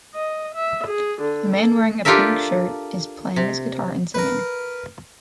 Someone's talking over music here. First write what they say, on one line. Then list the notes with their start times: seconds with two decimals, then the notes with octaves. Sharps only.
A man wearing a pink shirt is playing his guitar and singing.
0.14 D#5
0.55 E5
0.87 G#4
1.21 D3
1.51 A4
2.05 D4 F4 G4 A4 A#4 E5
3.36 C3
4.14 A#4 B4